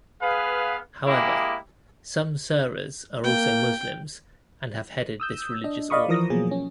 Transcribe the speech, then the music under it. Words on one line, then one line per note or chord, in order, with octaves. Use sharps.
However, some Serers are also Muslims and have headed this religious order.
B3 G#4 B4 F5
G#3 A#3 E4 G4 G#4
A#3 G5
D#6 E6 G6
D4 D#5
D5 D#5 F5 B5 C#6 D#6
E3 F3 A#4 D#6 A#6
B2 F3 F#3 A#3 G#4
C#4